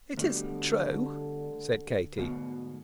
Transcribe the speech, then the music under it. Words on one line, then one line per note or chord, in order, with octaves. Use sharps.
"It isn't true," said Katie.
D2 B2 D3 G3
D2 G#2 B2